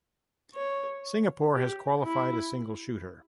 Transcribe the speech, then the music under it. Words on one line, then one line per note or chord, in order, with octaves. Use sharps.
Singapore has qualified a single shooter.
C#5
G4
E4